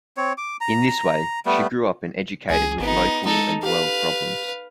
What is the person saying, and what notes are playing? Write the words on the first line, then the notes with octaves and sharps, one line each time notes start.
In this way, she grew up and educated with local and world problems.
C4 C#5
D6
A#5
A#5
G3 A3 B3
C#2 G#4
G#1 B3 D#4
G#3 D#4 A4
G4 B4 F5